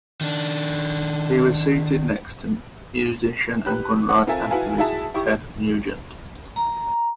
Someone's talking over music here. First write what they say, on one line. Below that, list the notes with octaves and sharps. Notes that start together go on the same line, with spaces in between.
He was seated next to musician and gun-rights activist Ted Nugent.
D#3 D4
G4 B4 B5 F#6
F#5
C4 F4 A4 A#4 E5 G#5
E4 F#4 B4 F5 G#5 A5
E4 F#4 G#4 E5 A5
E4 G4 C#6
A#5